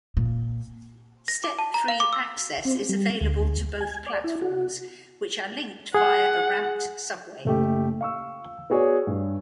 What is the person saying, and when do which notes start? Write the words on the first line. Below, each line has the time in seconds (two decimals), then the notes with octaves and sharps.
Step-free access is available to both platforms, which are linked via a ramped subway.
0.17 A#2
1.28 A#6
1.44 D6
1.59 A5
1.74 A#5
1.88 F5
2.00 D6
2.13 E6
2.65 C4
2.89 G3
3.21 D2
3.81 G#5
4.06 D5
4.24 E4
4.41 F#4
5.94 G#4 F#5 G#5
7.45 F#1 A3 G4
8.01 F5 C#6 E6
8.70 B3 F#4 G#4 C#5 D5
9.07 G2